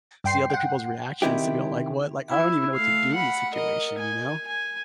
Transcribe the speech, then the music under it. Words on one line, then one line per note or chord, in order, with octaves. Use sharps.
see other people's reactions to be all like, "What?" like, I don't even know what to do in this situation, you know?
G2 G5 C6 C7
F#5 G5
C3 D#3 E4 G4
E4
A3 F5
F#5 B5
A#4 D#5
G#5
G#5